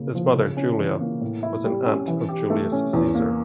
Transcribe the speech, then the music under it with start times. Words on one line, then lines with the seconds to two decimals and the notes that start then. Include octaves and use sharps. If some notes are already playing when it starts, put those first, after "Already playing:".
His mother, Julia, was an aunt of Julius Caesar.
Already playing: C#3 A#3
0.15 F3
0.35 C#3
0.57 C#4
0.79 E3
1.01 A#3
1.21 A2
1.43 E4
1.64 G3
1.86 C#4
2.08 E3
2.29 G4
2.50 A3
2.72 C#4
2.93 E2
3.15 A#3